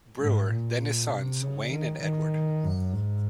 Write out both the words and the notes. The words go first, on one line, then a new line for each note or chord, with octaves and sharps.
Brewer, then his sons, Wayne and Edward.
G#2
A#2
C3
C#3
D#3
D#3
F#2
G#2